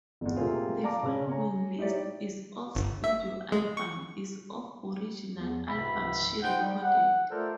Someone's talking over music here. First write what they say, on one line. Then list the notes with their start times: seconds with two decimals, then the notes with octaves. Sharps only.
The following list is of studio albums is of original albums she recorded.
0.21 G1 E2
0.36 C3 A3 A#3 C4 F4 G#4
0.83 D5 F5 A5 A#5 D6
1.03 C#3 C#4
1.28 C#5 G#5 A#5
1.79 D#4 E4 G4 C#5 D5
2.75 G1
3.04 E5
3.52 G#3
3.77 C#6
5.34 E2
5.67 C#2 G#2 C3 E5 B5
6.43 D#4 C5 F#5 G5
6.61 G3
6.82 F#5
7.29 A3 F4 A4 A#4 C5 D5